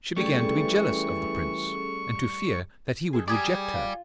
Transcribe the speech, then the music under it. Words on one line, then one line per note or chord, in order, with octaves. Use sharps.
She began to be jealous of the prince, and to fear that he would reject her.
E3 G3 A3 C#4 G#4 A4 C#6
G#4 A4 D#5
G4 G#4 D5 G5 A#5
F4